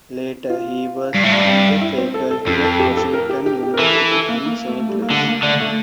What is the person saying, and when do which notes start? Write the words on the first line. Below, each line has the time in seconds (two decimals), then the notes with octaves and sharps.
Later he was on the faculty of Washington University in Saint Louis.
0.50 F4
1.15 G2
1.24 A2
1.33 G2
1.81 E4
1.98 C4
2.14 A4
2.31 A4
2.47 F2 A4
2.64 A4
2.79 G4
2.97 A4
3.13 A#4
3.29 G4
3.46 G4
3.63 G4
3.74 A#4
3.79 E3 A4
3.95 A4
4.11 A4
4.29 A#3
4.46 A#3
4.67 A3
4.79 A3
4.89 G3
5.02 A#3
5.11 D3 A3
5.28 A#3
5.43 D3 A3
5.60 A3